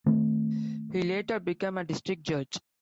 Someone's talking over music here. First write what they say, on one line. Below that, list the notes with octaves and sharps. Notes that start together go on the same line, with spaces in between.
He later became a district judge.
D#3 A3 C4